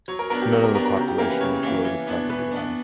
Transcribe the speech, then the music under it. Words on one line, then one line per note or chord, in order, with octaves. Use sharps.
None of the population is below the poverty line.
F#3 C#5
A#4
B3 D4 A#4
G4
F#3 F#4
A#4
B3 D4 A#4
A#4
C#3 G4
G4
E3 A#3 A#4
B4
C#3 C#5
E3 A#3
E3
B3 D4
E3 B4
B3 D4